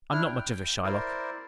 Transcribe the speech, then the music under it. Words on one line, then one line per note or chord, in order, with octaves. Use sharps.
I'm not much of a Shylock.
D4 E4 F6
G5
E4 A#4 C5 D5